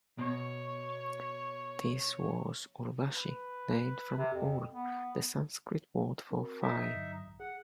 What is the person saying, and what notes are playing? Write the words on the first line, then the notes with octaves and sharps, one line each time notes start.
This was Urvashi, named from ur, the Sanskrit word for thigh.
B2 C#5
B4
C3
F2
B3
C4 F#4 A#4
D#4 E5
G2 D3 F#3
A1
G#4 F#5